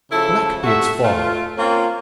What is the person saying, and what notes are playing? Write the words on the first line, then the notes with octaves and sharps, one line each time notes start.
Black be its fall!
C#3 F3 E4 A4
C3 A3 F#4 E5
A3 F4
A#3 C4 C#4 F4